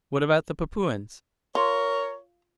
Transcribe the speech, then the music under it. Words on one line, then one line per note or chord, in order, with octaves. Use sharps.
"What about the Papuans?"
F4 A#4 C#5